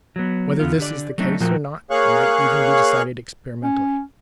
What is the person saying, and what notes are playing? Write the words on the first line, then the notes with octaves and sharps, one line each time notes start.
Whether this is the case or not might even be decided experimentally.
F#3 B3
E2 B3 F4
D3 G4 D5
F#3 A3 C4 D4 D#4
A#2 F3 A3 F#4 A#4 G5
A#3 G#4 C#5 F5 C#6 F#6
C#4